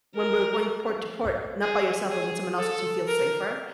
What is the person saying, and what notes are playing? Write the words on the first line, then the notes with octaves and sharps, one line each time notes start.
when we're going port to port, not by yourself, but with someone else 'cause you feel safer,
A#4
G#4
G#4
A4
A#4